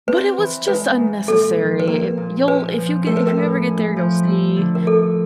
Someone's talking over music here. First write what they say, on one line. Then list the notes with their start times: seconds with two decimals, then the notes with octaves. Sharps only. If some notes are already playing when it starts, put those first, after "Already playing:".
But it was just unnecessary. You'll if you get if you ever get there, you'll see
0.08 C4 B4
0.38 E3
0.68 G#3 B4
0.98 G#2
1.28 A#2 A4
1.57 F3
1.80 B4
1.88 A#3 A#4
2.17 A#2
2.48 C#4 B4
2.78 F3
3.07 A3 A#4
3.17 B4
3.27 A#4
3.37 A2
3.67 C#4
3.96 F3
4.27 A3
4.56 D3
4.75 A#4
4.87 D2 A4